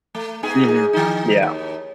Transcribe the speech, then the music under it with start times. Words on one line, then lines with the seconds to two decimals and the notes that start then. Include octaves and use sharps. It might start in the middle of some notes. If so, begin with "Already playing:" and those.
Mhm, yeah.
0.15 A3
0.43 G#2 B3 G#4
0.68 G#2 G#4
0.93 D#3 D#4
1.43 D#2